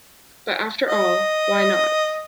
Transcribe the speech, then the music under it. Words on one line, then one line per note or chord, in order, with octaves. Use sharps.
But after all — why not?
D#5